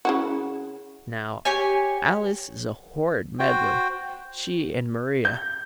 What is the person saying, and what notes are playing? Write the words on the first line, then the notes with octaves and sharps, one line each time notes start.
Now Alice is a horrid meddler--she and Maria.
C#3 E4 F#4
G4 C#5 G#5
F#4 C5 G5
G6